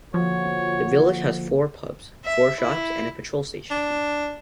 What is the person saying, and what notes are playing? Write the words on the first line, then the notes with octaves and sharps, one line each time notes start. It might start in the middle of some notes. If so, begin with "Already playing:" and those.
The village has four pubs, four shops, and a petrol station.
D3 F3 A#3 F#4 C#5
E5
E4
D4